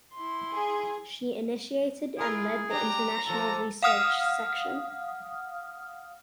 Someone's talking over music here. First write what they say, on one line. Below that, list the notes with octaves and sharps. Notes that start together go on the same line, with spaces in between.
She initiated and led the international research section.
E4 C6
G#4
E4 F4 G#4 A#4
D4 G4 A#5
A#2 F3 A4
F5 F#5 D#6 F6